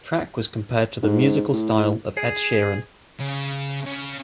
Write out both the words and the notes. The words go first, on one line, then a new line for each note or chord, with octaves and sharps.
The track was compared to the musical style of Ed Sheeran.
G#2
A2
G#4
C#3
C#3